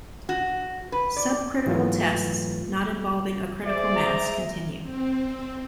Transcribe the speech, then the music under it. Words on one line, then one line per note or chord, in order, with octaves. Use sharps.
Subcritical tests not involving a critical mass continue.
F#4
B4
D5
G#2 E3 F#3 A3 F4 B4
G#3 G#4 C5 D5 E5
A#5
C4